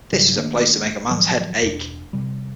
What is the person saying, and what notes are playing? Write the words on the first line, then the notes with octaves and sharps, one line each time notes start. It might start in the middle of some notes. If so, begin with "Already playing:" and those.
This is a place to make a man's head ache!
G#2 C#3 F#3 G3
D#3 A3 A#3 D4
A2 D#3 F3 F#3
E1 D4
C3 G3